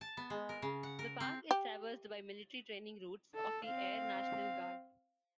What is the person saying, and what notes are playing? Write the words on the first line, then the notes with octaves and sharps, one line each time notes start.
The park is traversed by military training routes of the Air National Guard.
A5
B3
G#3
A#4
C#3
F#5
A#4
C4
G4
A4
C4 F5